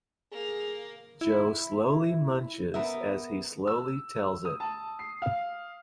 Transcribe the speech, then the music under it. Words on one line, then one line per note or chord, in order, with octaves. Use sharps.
Jo slowly munches as he slowly tells it.
A#3 G#4
E4
B3 A#4 E5
E6
D#6
A5
C7
F5